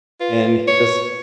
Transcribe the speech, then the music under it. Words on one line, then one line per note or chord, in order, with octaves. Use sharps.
and he just
F4 B4
C#5